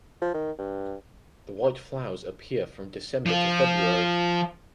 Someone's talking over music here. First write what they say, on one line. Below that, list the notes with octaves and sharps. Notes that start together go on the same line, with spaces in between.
The white flowers appear from December to February.
F3
D#3
G2
F3 F4